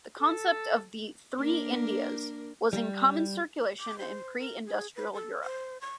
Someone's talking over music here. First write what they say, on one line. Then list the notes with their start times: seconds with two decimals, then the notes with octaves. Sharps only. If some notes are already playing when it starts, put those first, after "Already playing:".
The concept of the "Three Indias" was in common circulation in pre-industrial Europe.
0.19 A4
1.37 A#3 D4 A#4
2.73 G3
3.80 D6
3.99 C5
4.39 A#4
4.66 G#4
4.96 B4
5.14 A4
5.44 C5
5.81 C#6